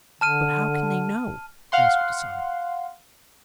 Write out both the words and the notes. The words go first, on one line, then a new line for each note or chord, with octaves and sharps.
"But how can they know?" asked Asano.
D3 A5 F6 D#7
F5 F#5 C6